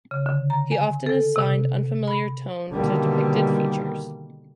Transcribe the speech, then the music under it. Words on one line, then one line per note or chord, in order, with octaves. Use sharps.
He often assigned unfamiliar tone to depicted features.
C#3
D3
A#5
G#5
A4
C3
B5
B2 D3 D#3 G3 A#3